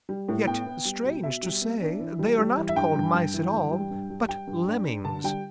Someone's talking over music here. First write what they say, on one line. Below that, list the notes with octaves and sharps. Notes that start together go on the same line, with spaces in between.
Yet, strange to say, they are not called Mice at all, but Lemmings.
G3
A2
B3 G5
B3
G3
B2
B2 E5
G3
B3
D4
E3
G3
G3
E3
E5
G2 G5
G2
G2
E3
G2
G3
G2
G3
G3 G5
G2
D4
D4
D3 A5
G3 G5